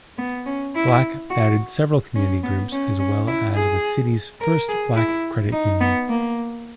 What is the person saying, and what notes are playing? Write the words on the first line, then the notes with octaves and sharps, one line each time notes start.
Black founded several community groups as well as the city's first black credit union.
B3
C#4
E4
F#4
C#4
B3
C#4
C#4
E4
G#4
A#4
G#4
E4
D#4
B3
A#3